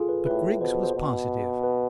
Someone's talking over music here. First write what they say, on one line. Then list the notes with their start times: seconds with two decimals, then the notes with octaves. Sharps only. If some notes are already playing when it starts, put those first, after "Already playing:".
But Griggs was positive.
Already playing: F4 G#4 A4
0.09 B4
0.26 A2 B4
0.61 B2 C5
0.83 C5
0.95 B2
1.64 B4